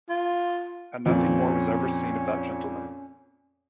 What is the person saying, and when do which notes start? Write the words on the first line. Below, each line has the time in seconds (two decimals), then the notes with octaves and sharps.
And nothing more was ever seen of that gentleman.
0.09 F4
1.06 F2 A#2 C4 C#4